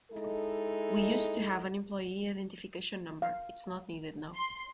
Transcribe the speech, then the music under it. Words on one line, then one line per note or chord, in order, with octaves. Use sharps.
We used to have an employee identification number, it's not needed now.
G#3 D#4 E4 A4
F5
C6